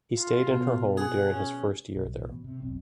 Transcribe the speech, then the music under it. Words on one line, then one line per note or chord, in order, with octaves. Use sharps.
He stayed in her home during his first year there.
F4
B2
G#4 F#5
C#4
B1
A1 B2
C3
F1 B1 C4